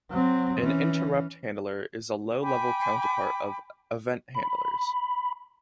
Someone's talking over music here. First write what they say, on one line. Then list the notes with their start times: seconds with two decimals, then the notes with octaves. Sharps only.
An interrupt handler is a low-level counterpart of event handlers.
0.11 F#3 C4
0.60 E3 C#4
2.42 G5 G#5 B5 D6
4.35 B5